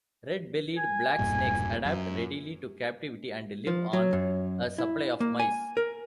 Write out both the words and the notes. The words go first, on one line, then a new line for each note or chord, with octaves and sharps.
Red-bellied black snakes adapt readily to captivity and live on a supply of mice.
G#5
E1 G2 A#2
F#2
F3
F#3
F#2
E4
A#3
G#5
A#4